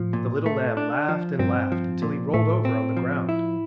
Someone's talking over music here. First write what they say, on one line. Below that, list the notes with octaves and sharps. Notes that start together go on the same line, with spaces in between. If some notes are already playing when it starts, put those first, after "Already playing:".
The little lamb laughed and laughed until he rolled over on the ground.
Already playing: A2 F3
A#2
A3
D4
F3
G2 C4
F3
A#2
A2 A3
C4
F3
E4